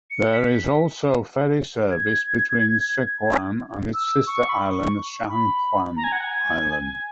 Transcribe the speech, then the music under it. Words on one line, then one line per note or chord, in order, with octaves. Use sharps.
There is also ferry service between Xiachuan and its sister island Shangchuan Island.
C#7
B6
G#6
E6
C#6
B5
C#6
B5
A#5
G#5
F#5
G#5